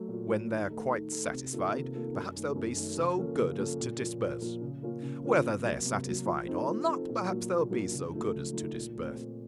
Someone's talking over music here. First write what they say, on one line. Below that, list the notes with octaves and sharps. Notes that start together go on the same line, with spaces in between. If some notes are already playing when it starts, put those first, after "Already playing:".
When they’re quite satisfied, perhaps they’ll be so good as to disperse; whether they’re satisfied or not, perhaps they’ll be so good as to disperse.
Already playing: F#3 A3
A#2
F#3 A3
D#3
A3 D#4 A4
D#3
A3 D#4 A4
C3
D#3 A#3 F4 A4
C3
D#3 A#3 F4 A4
F#2
D#3 A3
F#2
D#3 A3
C#3
F3 A#3 C#4 A4
C#3
F3 A#3 C#4 A4
A#2
F3 A#3
A#2
F3 A#3
C#3
F3 A#3 C#4 F4
C#3
F3 A#3 C#4 F4
C3
F#3 A#3
C3
F#3 A#3
F3
C4 D#4 A4
F3
C4 D#4 A4
A#2
F#3 A#3
A#2
F#3 A#3
C#3
F3 A3 D#4
C#3
F3 A3 D#4
A#2
A3
C4
A#2